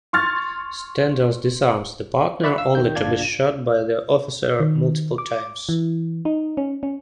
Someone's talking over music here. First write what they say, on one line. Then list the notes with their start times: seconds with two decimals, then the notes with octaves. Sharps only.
Stander disarms the partner only to be shot by the officer multiple times.
0.13 C6 C#6 F6 G#6 A6
2.44 D5 E5 B5 C#6 E6 F#6
2.58 F5 E6
2.75 D#3 G6
2.95 G1 A#2 D4 D5 F5 G#6
4.60 D#3
5.18 D6
5.69 E3
6.25 D#4
6.57 C#4
6.83 C#4